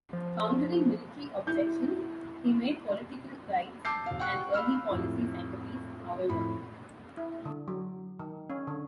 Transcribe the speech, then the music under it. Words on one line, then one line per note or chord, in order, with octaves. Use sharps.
Countering military objections, he made political rights an early policy centerpiece, however.
F3
E4 G6
A5 D6 E6 G6 C7
E1 F5
F#5 G5 C#6 F#6
F5 B5 E6 F6
F2 A2
F2 A2 B5
E4
D3
F#3
D#3
C#4
D3